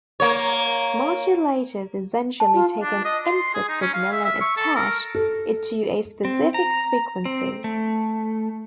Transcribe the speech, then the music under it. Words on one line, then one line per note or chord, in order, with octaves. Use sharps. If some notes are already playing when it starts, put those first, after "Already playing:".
Modulators essentially take an input signal and attach it to a specific frequency.
A#3 C#5
A5
F4
D4
D#5
C6
G#4
D#4
C#4
F5
E5
E5
C#6
A4
A#4
A4
C4
A#5
C4
A3